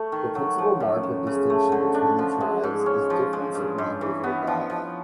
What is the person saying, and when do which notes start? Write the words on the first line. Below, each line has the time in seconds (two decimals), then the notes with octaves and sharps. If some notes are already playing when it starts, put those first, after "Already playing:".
The principal mark of distinction between the tribes is difference of language or dialect.
Already playing: A3
0.12 D#3
0.35 F#3
0.58 F3
0.80 F#2
1.03 F#2
1.27 C#3
1.50 A3
1.72 D3
1.94 D4
2.19 F3
2.40 G#3
2.63 G#2
2.86 C#4
3.10 F3
3.33 G#3
3.55 G2
3.78 G2
4.01 E3
4.24 B3
4.47 F3
4.70 F3